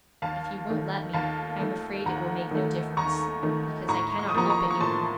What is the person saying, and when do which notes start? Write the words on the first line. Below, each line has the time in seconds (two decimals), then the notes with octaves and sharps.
'If you won't let me, I am afraid it will make no difference, because I cannot help it, you know.
0.22 D#2 F5 A5
0.69 D#3 A3
1.13 D#2 F5 A5
1.60 D#3 A3
2.06 D#2 F#5 A#5
2.51 D#3 A3
2.97 D#2 A#5 C#6
3.43 D#3 A3
3.88 A2 A#5 C#6
4.19 C#6
4.28 D#6
4.34 F3 A#3 A#5 C#6
4.50 A#5 C#6
4.70 C#6
4.80 A2 A5 C6